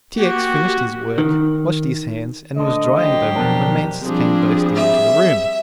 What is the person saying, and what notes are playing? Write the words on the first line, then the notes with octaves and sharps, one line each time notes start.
T. X. finished his work, washed his hands, and was drying them when Mansus came bursting into the room.
A#3 F#4 G4 G6 G#6
D#3
D2 D3 D#5
F#3 G4 C5
F2 B2 D4 A#4
F3 G3 C4 D4 G#4
E5